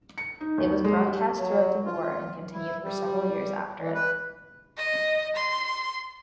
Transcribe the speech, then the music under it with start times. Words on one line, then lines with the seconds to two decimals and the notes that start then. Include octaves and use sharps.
It was broadcast throughout the war and continued for several years after it.
0.18 C#7
0.41 D#4
0.58 D#2
0.84 G#3
1.07 G3
1.36 F#3
1.85 F4
2.53 E4
2.82 G3
3.80 E3
3.95 B4
4.77 D#5
5.35 C6